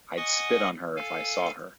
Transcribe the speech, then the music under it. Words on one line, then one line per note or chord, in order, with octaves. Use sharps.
I'd spit on her if I saw her.
D#5 F#5 G#5 C#6 D#6
A4 F5 G#5